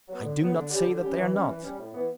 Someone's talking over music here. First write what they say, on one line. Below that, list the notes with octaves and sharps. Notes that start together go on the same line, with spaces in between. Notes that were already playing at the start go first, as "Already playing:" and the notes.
"I do not say that they are not."
F#3 B3
D3
F#3 B3
D3
G3 C#4 G4
D3
G3 C#4 G4
E3
G3 C#4
E3
G3 C#4
A2
E3 B3